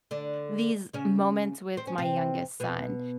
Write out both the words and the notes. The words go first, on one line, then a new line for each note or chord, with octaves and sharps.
these moments with my youngest son,
D3 D4
C#3 C#4
C4
C#4
C3 C4
B2 B3